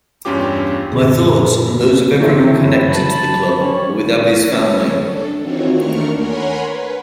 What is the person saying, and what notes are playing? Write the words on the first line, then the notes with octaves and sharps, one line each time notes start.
My thoughts and those of everyone connected to the club are with Avi's family.
E2 G2 C#4 F4 G4 D6
F#2 A#2 D3 F3 G#4
E3 A3 A#3 C4 D#4
F#2 B4 C#5
F#3 A5 B5
C#4 G4 C#5
C#4 C#5
D4 A4
D#3 E3 C4 F4 F#4 C#5
D#2 A3 D4 A#4 C#6 F6
A#4 C#5 F#5 G#5 B5 C6
B4